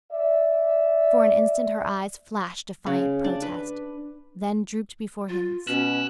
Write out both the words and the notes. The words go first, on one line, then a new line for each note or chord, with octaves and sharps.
For an instant her eyes flashed defiant protest, then drooped before his.
D5 E5
C#3
D4
B4
F4
B2 C#4 E6 F#6